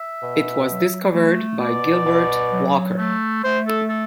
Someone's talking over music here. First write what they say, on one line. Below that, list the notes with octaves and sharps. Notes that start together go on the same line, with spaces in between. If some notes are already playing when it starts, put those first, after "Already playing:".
It was discovered by Gilbert Walker.
Already playing: E5
B2
F#3
A3
B2 D5
B2
F#3
A3
A3 C5
A4
A4